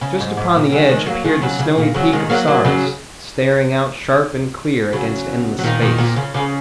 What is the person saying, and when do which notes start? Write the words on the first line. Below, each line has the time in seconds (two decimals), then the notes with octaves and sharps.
Just upon the edge appeared the snowy peak of Saris, standing out sharp and clear against endless space.
0.01 C#3
0.20 G#2
0.37 G#2
0.55 A#2
0.72 C#3 F#3
0.89 D#3 G#3
1.07 F#3 A#3
1.24 D#3 G#3
1.42 C#3 F#3
1.59 C#3
1.78 A#2
1.94 C#3 F#3
2.13 D#3 G#3
2.30 F#3 A#3
2.47 F#3 A#3
2.65 C#3 F#3
4.93 C#3 F#3
5.59 F#3
5.64 A#2 D#3
5.81 A#2 D#3
5.98 A#2
6.16 C#3
6.34 C#3